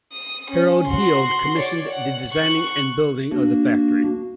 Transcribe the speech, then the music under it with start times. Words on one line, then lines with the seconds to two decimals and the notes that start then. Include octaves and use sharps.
Harold Heal commissioned the designing and building of the factory.
0.13 D#6
0.51 C#4
0.88 F#4 C6
1.58 C#5 D5
1.90 F#5
2.32 C#6 F#6
3.31 A#3 D4 F#4